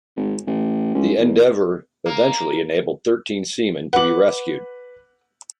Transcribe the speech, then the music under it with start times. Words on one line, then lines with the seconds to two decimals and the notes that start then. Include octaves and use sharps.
The endeavour eventually enabled thirteen seamen to be rescued.
0.17 G#1
0.47 A1
0.95 C#2
1.19 E2
2.06 A#3
3.93 B4 F#5 D6 F#7